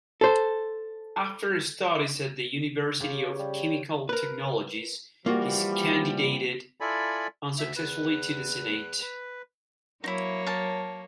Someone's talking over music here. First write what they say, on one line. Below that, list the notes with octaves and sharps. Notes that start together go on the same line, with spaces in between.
After studies at University of Chemical Technologies he candidated unsuccessfully to the Senate.
A4 C5
C#3 F4 G4 C#5
G3
A#4 B4
E3 F3 G3 A#3 F4 F#4
E4 F4 A4 D5 G#5 B5
D2 E5
E2 B4
B4
F#3 A#3 D#4 E4 C#5
A#4 A5